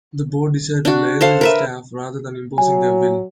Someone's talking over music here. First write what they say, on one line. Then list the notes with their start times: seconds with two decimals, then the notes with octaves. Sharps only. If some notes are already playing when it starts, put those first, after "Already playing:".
The board decided to liaise with the staff rather than imposing their will.
0.85 D4 F#4
1.21 A4 C5 F5
1.41 A#4 B4 E5
2.58 F#3 G#5